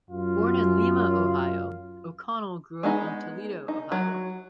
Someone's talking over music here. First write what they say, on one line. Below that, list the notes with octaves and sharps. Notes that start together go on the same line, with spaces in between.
Born in Lima, Ohio, O'Connell grew up in Toledo, Ohio.
F#2 F4
G#3 B3 D#4
D#4
F#3